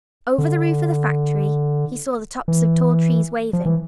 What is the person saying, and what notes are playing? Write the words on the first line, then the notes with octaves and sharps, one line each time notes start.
Over the roof of the factory he saw the tops of tall trees waving.
D3
E3
F3
E3